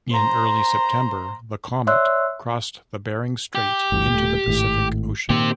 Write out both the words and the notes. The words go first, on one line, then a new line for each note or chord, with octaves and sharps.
In early September, the "Komet" crossed the Bering Strait into the Pacific Ocean.
C5 A#5
C#5 D5 E5 C6 E6 F#6
G4
G1 D2 E3
D#1 A3
G#1 A2
A#2 D#3 A#3 C4 G4